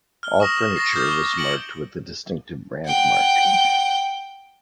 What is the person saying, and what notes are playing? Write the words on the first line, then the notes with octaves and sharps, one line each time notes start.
All furniture was marked with the distinctive brand mark.
F6 G7
C#6 D#6 A#6 E7
C#6 D#6 A6 A#6 C7
D6 D#6 F6 G6
C#6 G7
A#6 C#7 D7 F#7
F#5 G5